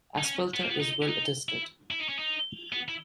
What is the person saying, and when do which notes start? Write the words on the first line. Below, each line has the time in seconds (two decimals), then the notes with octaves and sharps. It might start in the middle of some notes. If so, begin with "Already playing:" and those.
Aspelta is well attested.
0.18 D#4
0.25 C#4
0.54 B3
0.61 A#3
0.69 B3
0.80 D#4
1.02 C#4
1.09 D#4
1.49 E4
1.91 E4
2.00 D#4
2.09 C#4
2.19 D#4
2.73 B3
2.88 E4